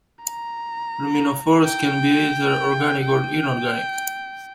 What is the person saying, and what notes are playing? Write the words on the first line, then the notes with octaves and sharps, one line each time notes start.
Luminophores can be either organic or inorganic.
A#5
G5
G5